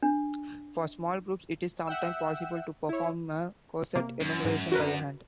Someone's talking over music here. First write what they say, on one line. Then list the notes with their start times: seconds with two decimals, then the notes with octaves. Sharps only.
For small groups it is sometimes possible to perform a coset enumeration by hand.
0.03 D4
1.87 E5 F#5 G5 E6
2.89 E4 C#5
3.95 C3 A#3
4.20 F#2
4.45 G#2
4.72 F#4 A#4 B4